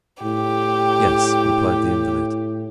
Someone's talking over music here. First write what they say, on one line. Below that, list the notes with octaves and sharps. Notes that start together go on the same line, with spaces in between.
"Yes," replied the invalid.
A2 G4